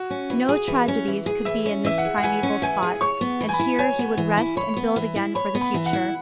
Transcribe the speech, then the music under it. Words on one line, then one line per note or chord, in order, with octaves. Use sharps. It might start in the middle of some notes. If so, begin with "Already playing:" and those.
No tragedies could be in this primeval spot, and here he would rest and build again for the future.
Already playing: F#4
C#4
E3
G#4
E3
C#4
E3
G#4
E3 E5
C#4
E3 E5
F#5
G#4
F#5
E3 G#5
C#4
E3 G#5
G#4
C#5 C#6
B3
E3
G#5
B5
E4
C#5 G#5
B3
E3
E4
C#5 B5
B3
E3
E4
C#5 B5
B3
B5
E3
F#5
E4